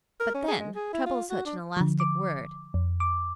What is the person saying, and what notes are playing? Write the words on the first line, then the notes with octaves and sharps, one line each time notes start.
But, then, trouble is such an elastic word.
A#4
C#4
G#4
G#3
G#4
E4
F4
F#4
D4
D3 F3
D6
F2
D6